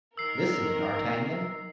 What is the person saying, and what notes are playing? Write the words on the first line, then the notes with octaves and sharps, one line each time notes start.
Listen, D'Artagnan.
D#3 A#4 E6 C7